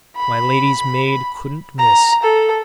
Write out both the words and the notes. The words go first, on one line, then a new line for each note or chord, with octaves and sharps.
My lady's maid couldn't miss.
B5
A#5
A4